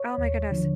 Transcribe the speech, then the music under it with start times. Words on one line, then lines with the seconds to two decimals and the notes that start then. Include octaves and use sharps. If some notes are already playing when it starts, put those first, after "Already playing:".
oh my goodness
Already playing: C#5
0.18 D#2
0.51 D3 F3